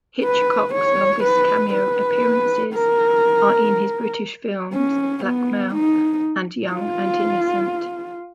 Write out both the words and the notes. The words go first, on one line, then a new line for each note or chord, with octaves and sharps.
Hitchcock's longest cameo appearances are in his British films "Blackmail" and "Young and Innocent".
B4
C#5
B4
B4
A#4
C#4
B3
D#4
F4